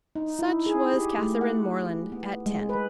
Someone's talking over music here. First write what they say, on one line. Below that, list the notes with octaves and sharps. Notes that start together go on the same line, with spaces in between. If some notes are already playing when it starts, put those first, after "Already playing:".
Such was Catherine Morland at ten.
D#4
E4
G#4
G4
A3
F#5
B3
G#3
B4